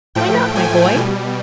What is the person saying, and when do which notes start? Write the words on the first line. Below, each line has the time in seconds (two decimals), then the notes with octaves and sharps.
"Why not, my boy?"
0.15 A2 F3 A3 G5
0.55 G#5
0.96 B2 G3